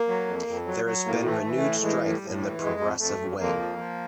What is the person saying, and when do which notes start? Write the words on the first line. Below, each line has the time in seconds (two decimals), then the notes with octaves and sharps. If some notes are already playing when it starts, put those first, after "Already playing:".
There has been renewed strength in the progressive wing.
Already playing: A#3
0.08 F#3
0.27 F2
0.47 F2
0.66 F#3
0.85 F#3
1.05 A2 A#3
1.25 E3
1.31 A3
1.44 E3
1.57 A3
1.63 A2
1.82 E3 G#3
2.02 A2
2.09 G3
2.22 A2
2.35 G3
2.42 E3
2.61 F2 G#3
2.80 F2
3.00 F2 A3
3.19 F2
3.38 F2 A#3
3.59 F3
3.78 F3